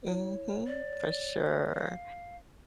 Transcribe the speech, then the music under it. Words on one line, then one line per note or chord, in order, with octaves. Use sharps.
Mhm. For sure.
E4 C#5
D5
F5